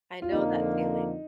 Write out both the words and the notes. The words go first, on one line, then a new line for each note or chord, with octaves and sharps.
I know that feeling.
F4
F2 D3 F3 A#3 D#4